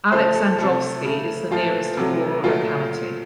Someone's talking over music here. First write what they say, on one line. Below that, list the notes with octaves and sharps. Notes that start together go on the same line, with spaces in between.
Alexandrovsky is the nearest rural locality.
C#3 F3 A3 C5
A4
C3 F3 A3 A4
C#3 A3
A#2 F3 A3 F4
C3 F#3 A3
A#2 F#3 A3 F4